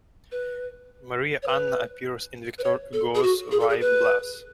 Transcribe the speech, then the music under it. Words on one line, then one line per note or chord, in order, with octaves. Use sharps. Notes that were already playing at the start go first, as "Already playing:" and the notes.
Maria Anna appears in Victor Hugo's Ruy Blas.
B4
C#5
B4
B4
C#5
A4
G#4
F#4
G#4
A4
G#4
B4